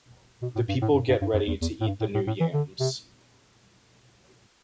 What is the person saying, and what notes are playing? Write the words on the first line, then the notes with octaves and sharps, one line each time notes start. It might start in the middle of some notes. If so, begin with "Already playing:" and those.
The people get ready to eat the new yams.
B2
A2
G2
A2
G2
G2
G2
F#2
E2
E2
A2
G2
A2
A2
A2
E3
D3
C3